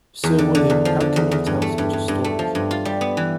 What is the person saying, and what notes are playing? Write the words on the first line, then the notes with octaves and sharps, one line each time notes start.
Sir William, how can you tell such a story?
E2
D3
D3
E2
F3
D3
E2
E2
G2
A3
G2
G2
G2
A3
F3
G2
F4
G3
B3
E3